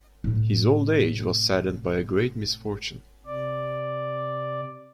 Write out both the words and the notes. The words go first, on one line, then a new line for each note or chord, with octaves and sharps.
His old age was saddened by a great misfortune.
A2 C3
C3 D5